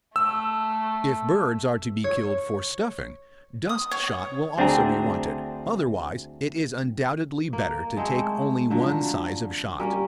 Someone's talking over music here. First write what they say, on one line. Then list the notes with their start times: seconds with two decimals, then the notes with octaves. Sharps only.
If birds are to be killed for stuffing, dust-shot will also be wanted; otherwise, it is undoubtedly better to take only one size of shot.
0.16 A3 E6
2.04 C#5
3.69 D#6
3.91 C#5
4.58 D2 C4 D4 G#4 A#5
7.53 A#3
7.97 G#3 A3 C4 C#5
8.70 D3 F3 F#3
9.79 G3 A#3 C#4